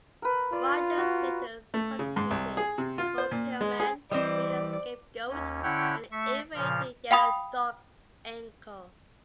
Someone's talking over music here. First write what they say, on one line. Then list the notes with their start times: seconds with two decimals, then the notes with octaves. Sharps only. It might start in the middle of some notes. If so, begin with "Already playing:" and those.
Rogers later substituted for Pillman, being the scapegoat in the ill-fated Yellow Dog angle.
0.22 A#4 B4
0.53 F4 D5
0.98 F#4
1.74 A3
1.99 C#3
2.16 G#2
2.30 C2
2.57 G#4
2.78 C3
2.98 F4
3.18 C5
3.31 A#2
3.61 G#3
3.80 G#4
4.12 E3 G3 C4 C5 D5 D#5
5.29 D#2 C#4
5.63 D3 C#4 E4 C#5 F#5 G5
6.12 A3 E5 C#6
6.55 A#2 C#3 F3 F6
7.11 F5 G5 B5 D#6